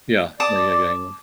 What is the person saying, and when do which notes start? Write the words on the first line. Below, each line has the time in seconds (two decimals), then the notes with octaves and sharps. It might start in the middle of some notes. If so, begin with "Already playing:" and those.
Yeah. Yeah, yeah, yeah, yeah.
0.40 D5 A5 D6 D#6